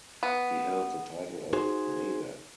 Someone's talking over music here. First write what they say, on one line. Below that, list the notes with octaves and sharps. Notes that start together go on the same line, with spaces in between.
He held the title of Nawab.
B3
D#4 F#4 G#4 C5